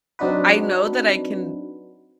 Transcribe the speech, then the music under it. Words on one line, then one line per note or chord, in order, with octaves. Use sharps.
I know that I can
F#3 C4 D4 D#4 F#4 B4